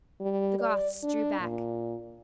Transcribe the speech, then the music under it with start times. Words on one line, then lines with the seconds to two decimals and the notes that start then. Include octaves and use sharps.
The Goths drew back.
0.20 G3
0.60 D5
1.03 D4
1.40 A#2